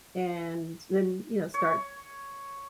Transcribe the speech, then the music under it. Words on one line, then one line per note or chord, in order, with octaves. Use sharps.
and then, you know, start
C#5